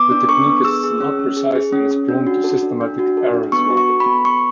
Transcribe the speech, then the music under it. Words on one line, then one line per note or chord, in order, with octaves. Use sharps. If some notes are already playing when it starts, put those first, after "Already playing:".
The technique is not precise and is prone to systematic error as well.
Already playing: B3 D6
D4
A4 C#6
B3
G#4 E6
G#4
C#4
C#4
G#4
G#4
C#4
C#4
D4
F#4
A4
D4
D4
F#4
A4
D4
B3 C#6
F#4
C#6
A4
B5
B3
B3 C#6